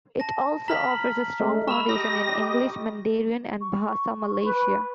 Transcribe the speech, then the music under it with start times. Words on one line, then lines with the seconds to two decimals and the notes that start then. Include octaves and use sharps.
It also offers a strong foundation in English, Mandarin and Bahasa Malaysia.
0.20 A5 A#6
0.68 A#5 B5 F6 B6
1.40 G#3 A3
1.68 B5 C#6 E6
1.89 G4 D#5 A#6
3.61 C#6
4.44 B4